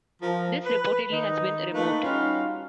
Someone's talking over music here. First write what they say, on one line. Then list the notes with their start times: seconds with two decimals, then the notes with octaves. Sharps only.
This reportedly has been removed.
0.22 F3 A#4
0.66 B4
1.12 D#3 D#4
1.73 A3 A#3 D#4 B4
2.02 G3 C#4 D#4 F4 F#4 F5